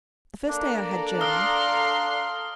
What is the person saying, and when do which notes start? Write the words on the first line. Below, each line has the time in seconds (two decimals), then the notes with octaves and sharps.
The first day I had German.
0.48 A#3 D4 A4 D5 A#5
1.21 F5 C6 D#6 F6 G7